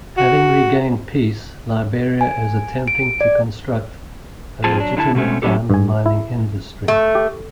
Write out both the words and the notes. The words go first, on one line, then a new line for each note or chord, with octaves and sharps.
Having regained peace, Liberia is attempting to construct a legitimate diamond mining industry.
F#4
G#5
D7
D5
F2 C4 F4 G#4 A5
F#3 D4
D3 D4 E4 A5
B2 D3 G#3 A3 C4 C#4
F#3 C#4 D4 E4 G4 A4
G2 G#5
E4
A3
G4